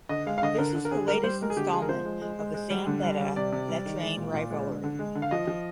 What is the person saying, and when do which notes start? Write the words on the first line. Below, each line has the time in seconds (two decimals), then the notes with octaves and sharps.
This is the latest installment of the San Beda–Letran rivalry.
0.09 D3 D#5
0.26 G#3 F5
0.38 F5
0.42 D3 D#5
0.58 D3 A#4
0.75 D3
0.85 A#4
0.91 D3 G#4
1.08 G3 A#4
1.24 G3 C5
1.41 G#3 A#4
1.50 G#4
1.57 D3 G4
1.73 G#3 G#4
1.82 A#4
1.89 F3 C5
2.05 G#3
2.21 G#3
2.39 G#3
2.54 G#3
2.70 G3
2.87 D3
3.03 G3
3.20 G3
3.36 C3 D5
3.52 C3
3.69 G3
3.86 D#3
4.02 G#3
4.17 A#2
4.34 A#2
4.50 G#3
4.67 D3
4.83 D3
4.99 G#3
5.15 D3
5.22 F5
5.31 F3 D#5
5.47 F3